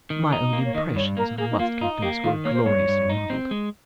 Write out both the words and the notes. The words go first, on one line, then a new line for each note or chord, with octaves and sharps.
My own impressions, I must confess, were gloriously muddled.
D#3
D#4
A#3
C#5
D#3 D#5
G2 C#5
A#3 A#4
A#3 G#4
D#4
A#3 F4
D#4 F4
A#3 G4
D#3 F4
A#3 C#5
C5
G2 C#5
G2
D#4
C4
G#3